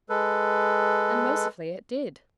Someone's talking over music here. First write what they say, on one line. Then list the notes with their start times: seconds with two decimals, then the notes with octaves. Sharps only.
And mercifully it did.
0.09 G#3 A4 B4